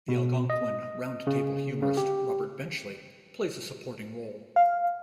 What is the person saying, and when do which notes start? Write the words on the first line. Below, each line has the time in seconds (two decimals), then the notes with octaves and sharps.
The Algonquin Round Table humorist Robert Benchley plays a supporting role.
0.08 B2
0.50 D#5
1.27 C#3
1.82 C#3
1.97 G4
4.56 F5